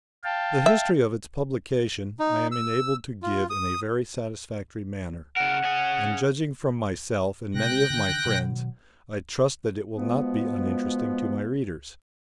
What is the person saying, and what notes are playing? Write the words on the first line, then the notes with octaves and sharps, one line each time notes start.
The history of its publication I am enabled to give in a very satisfactory manner; and judging from myself, and many of my friends, I trust that it will not be uninteresting to my readers.
F5 G5 A5
E5
D#4
E6
F4
D#6
C#3 A#4 F#5
C#4 G#4
C3 G#3 G5 F#6 A#6
D3 D#3
B2 D#3 F#3
B2 F3 G#3 B3